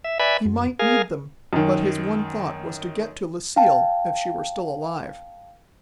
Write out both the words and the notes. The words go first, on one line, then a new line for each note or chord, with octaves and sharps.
He might need them, but his one thought was to get to Lucille, if she were still alive.
E5
B4 D5 E5 G#5 B5
F#2
G#4 A#4 F5 G#5
F#2 D#3
F5 G5 A5